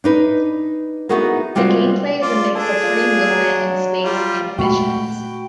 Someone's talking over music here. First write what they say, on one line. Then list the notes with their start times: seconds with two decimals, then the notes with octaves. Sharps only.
The gameplay is a mix of free movement in space and missions.
0.04 D4 D#4 B4
1.09 B3 D#4 E4 F#4 G#4 A#4
1.55 C3 G3 G#3 F4 F#4 C5
2.22 F4 D5
2.55 D4 G#4 A4
2.83 F4
3.30 F#3
4.04 G3 F4
4.58 A#2 G#3 A3 F#4 G5 B5